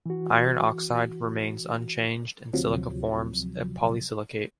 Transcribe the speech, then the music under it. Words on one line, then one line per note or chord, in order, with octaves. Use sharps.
Iron oxide remains unchanged and silica forms a polysilicate.
E3 F#4
D2 C3 F3 F#3